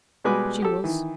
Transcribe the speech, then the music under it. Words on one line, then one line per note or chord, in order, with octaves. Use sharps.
"She was."
B2 G3 G#3 B4 G#5 D6
G4 A4
D#3 E3